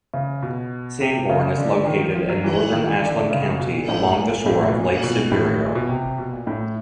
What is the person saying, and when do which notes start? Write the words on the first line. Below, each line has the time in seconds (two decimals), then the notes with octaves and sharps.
Sanborn is located in northern Ashland County, along the shore of Lake Superior.
0.14 C#3
0.43 B2
1.01 C3
1.30 C#3
1.58 D3
1.86 D#3
2.01 F3
2.15 F3
2.29 F#3
2.44 E3
2.72 D#3
2.88 E3
3.01 D3
3.31 C#3
3.60 B2
3.73 A#2
3.89 A2
4.17 A#2
4.46 A2
4.68 B2
4.74 A#2
4.96 A#2
5.03 B2
5.32 A2
5.66 A#2
5.75 B2
5.89 C3
6.18 B2
6.32 A#2
6.47 A2